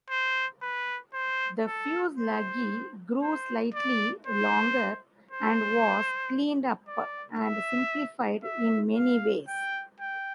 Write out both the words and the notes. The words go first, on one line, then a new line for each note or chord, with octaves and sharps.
The fuselage grew slightly longer, and was cleaned up and simplified in many ways.
C5
B4
C5
A4
C5
C5
D5
C5
C5
D5
E5
E5
F5
G5
G5